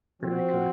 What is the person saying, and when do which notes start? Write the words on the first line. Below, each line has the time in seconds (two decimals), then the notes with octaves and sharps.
Very good.
0.22 F3 C4 F#4 C5